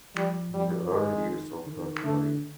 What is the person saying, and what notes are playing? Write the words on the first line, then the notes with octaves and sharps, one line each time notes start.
In the early years of her career.
F3 G3
F3 G3
D#3 G#3
D#3
D3 A3